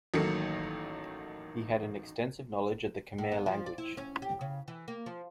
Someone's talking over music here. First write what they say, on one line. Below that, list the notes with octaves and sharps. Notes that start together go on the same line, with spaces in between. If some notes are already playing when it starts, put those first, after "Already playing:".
He had an extensive knowledge of the Khmer language.
A1 D#3 F#3 A3 A#3 C#7
A2
B3
F3
D5
E4
C#4
G4
C#3
E3
A#3
F3